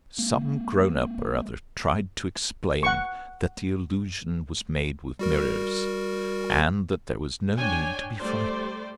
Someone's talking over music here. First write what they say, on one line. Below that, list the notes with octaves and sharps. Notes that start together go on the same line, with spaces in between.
Some grown-up or other tried to explain that the illusion was made with mirrors, and that there was no need to be frightened.
G#3 A#3
F#5 C#6
G3 F#4 A#4
D4 C#5 G5 G#5
G3 A3 C5 D5